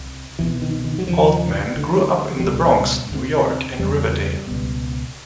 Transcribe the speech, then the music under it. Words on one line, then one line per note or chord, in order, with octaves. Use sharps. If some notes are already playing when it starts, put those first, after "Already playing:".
Altman grew up in the Bronx, New York, in Riverdale.
Already playing: C2
C2 B2 E3
D#3
D#3
F#3
D#2 C#3 F3
D2 D3
F#3
C#2 B2 G3
D2 C3
E2 C#3 G3
C#2 B2